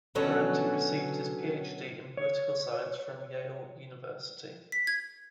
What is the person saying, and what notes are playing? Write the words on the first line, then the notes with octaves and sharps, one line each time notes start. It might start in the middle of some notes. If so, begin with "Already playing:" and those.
Parenti received his PhD in political science from Yale University.
B2 D3 F#3 C#4 A4
C#5
B6
G#6